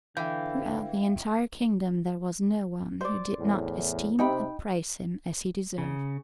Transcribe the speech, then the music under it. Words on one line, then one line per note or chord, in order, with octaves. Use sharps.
Throughout the entire kingdom there was no one who did not esteem and praise him as he deserved.
D3 E3 E5 F5 G5 G6
C5 D5
E2 A2
C3 D#4 G5 B5
C#3